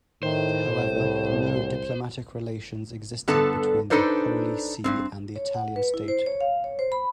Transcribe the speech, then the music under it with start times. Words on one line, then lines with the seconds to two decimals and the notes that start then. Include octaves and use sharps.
However, no diplomatic relations existed between the Holy See and the Italian state.
0.23 A2 D#3 C5
0.80 C2
3.28 G2 D3 B3 A4 A5
3.90 D4 D#4 A4 B4 C5 D5
4.84 G2 A#2 C4
5.36 C#5
5.54 F#5
5.76 B4
5.94 E4
6.08 C5
6.26 C#5
6.41 F5
6.64 C#5
6.79 C5
6.92 B5